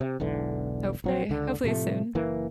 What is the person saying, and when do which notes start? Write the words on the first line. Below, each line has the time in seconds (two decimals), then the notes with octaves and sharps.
hopefully, hopefully soon.
0.01 C3
0.20 E1 B1 D3 E3
1.04 A#1 F#3 C4
1.29 C#2 D3
1.64 A2 C3 F3 A3
2.15 F#1 E3 A#3